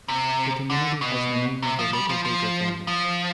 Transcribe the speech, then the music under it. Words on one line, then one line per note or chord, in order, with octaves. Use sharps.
The community has the name of the local Baker family.
C3
D3
B2
C3
F3
G3
F3
F3
F3